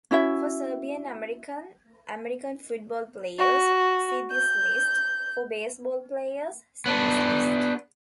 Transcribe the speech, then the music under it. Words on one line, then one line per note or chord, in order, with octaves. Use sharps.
For Serbian-American American football players, see this list; for baseball players, see this list.
C#4 E4 F#4 E5
F#4
G6
B3 D4